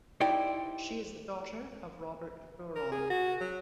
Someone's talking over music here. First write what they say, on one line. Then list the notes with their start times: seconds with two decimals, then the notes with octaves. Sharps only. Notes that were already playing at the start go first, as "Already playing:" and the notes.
She is the daughter of Robert Buron.
0.20 D#4 E4 G4 C5 D5 G5
2.76 A#4
2.92 G#4
3.10 F#4
3.41 F#3